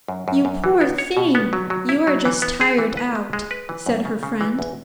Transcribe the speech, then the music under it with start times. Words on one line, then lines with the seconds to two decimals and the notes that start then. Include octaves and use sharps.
"You poor thing, you are just tired out," said her friend.
0.08 F#2
0.28 F#2
0.45 F#2
0.64 E3
0.81 B3
0.98 C#5
1.17 B2
1.35 B3
1.53 F#3
1.70 F#3
1.89 E4
2.07 F#3
2.25 E3
2.42 B3
2.61 G#4
2.78 E3
2.97 B4
3.15 G#3
3.33 G#3
3.51 B4
3.69 E3
3.86 F#2
4.05 C#3
4.23 C#3
4.41 E3
4.59 E2